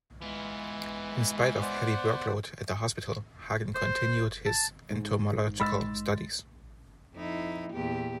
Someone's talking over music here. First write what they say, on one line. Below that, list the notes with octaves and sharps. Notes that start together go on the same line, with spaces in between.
In spite of the heavy workload at the hospital, Hagen continued his entomological studies.
E3 G#3 B3 F4
C5 D5 F#5
C5
A5
G#2
G#3 B5 E6 A6
F2 D#4 E4
E2 A#2 G4